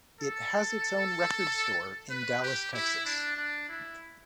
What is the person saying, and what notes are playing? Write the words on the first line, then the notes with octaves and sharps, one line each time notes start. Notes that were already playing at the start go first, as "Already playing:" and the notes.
It has its own record store in Dallas, Texas.
A4
B4
G4
E4
D4
D4
E4